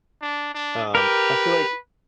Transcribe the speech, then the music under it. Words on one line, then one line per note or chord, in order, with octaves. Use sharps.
Um, I feel like
D4
D4
G4 A#4 B4